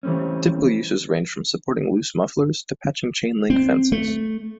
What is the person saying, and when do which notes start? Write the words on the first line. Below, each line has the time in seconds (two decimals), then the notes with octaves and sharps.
Typical uses range from supporting loose mufflers to patching chain-link fences.
0.03 E3 G3 A3 C4 C#4
3.50 C4
3.92 A3